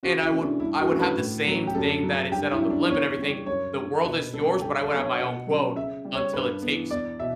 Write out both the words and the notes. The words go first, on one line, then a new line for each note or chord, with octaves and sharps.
And I would w I would have the same thing that it said on the blimp and everything, "The world is yours." But, I would have my own quote, "Until it takes you."
C#3 F#4
E4
E3 A3 C#4
D4
G2 E4
F#4
E3 A3 C#4
B4
A2
F#3
C#4
G4
F#2 A4
F#3
C#3
G2 G4
E4
F#3 C#4
D4
E2 C#5
C#3 G3
F#2 C#5
D3 F#3
B2 B4
G3 C#4 A4
A4
G2 G4
A4
F#3 B3
C#5
B2 F#5
F#3 C#4
C#3 E5
G3 C#4
C#5
G2 B4
E3 B3
E2 D5
B2 E5